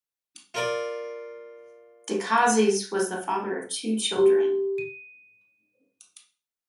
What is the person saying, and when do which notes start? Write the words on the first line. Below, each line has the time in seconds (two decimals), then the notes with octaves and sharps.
Decazes was the father of two children.
0.54 F4 A#4 D5
4.16 G4
4.78 D#7